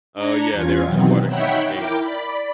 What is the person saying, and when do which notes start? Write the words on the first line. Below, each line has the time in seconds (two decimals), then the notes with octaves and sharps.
Oh, yeah. They were underwater in the cave.
0.14 D4 A#5 G#6 C#7
0.52 E2 C#4 F4 G#6
0.85 B2 D#3 E3 F#3 B3 C4
1.25 D#4 C#5 E5 F#5 G5 B5
1.71 E4 A#4 G5 D6
2.01 D5 B5